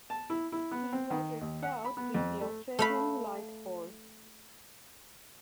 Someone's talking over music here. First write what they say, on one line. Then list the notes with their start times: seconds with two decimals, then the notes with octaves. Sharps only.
He was a scout with the Australian Light Horse.
0.10 A5
0.30 E4
0.52 E4
0.71 B3
0.93 C4
1.10 D#3
1.41 D#2
1.63 F#5
1.85 B5
1.97 B3
2.14 F2
2.41 A3
2.79 A3 F5 B5